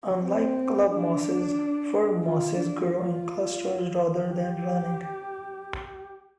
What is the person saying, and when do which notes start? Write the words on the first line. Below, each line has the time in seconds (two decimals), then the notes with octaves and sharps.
Unlike clubmosses, firmosses grow in clusters rather than running.
0.21 C4
0.88 D4
2.23 F4
2.57 D4
2.90 F4
4.26 G4